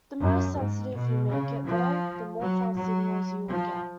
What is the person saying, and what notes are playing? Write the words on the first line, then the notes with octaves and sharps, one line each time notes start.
The more sensitive you make it, though, the more false signals you will get.
F#2
G#2
B2
C#3
F3
F#3
F#3
F3